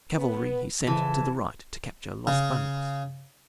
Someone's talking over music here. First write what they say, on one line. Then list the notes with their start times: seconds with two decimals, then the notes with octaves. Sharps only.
The cavalry he sent to the right to capture Los Banos.
0.16 B3 B4
0.87 F2 C#3 E3 A5
2.27 C#3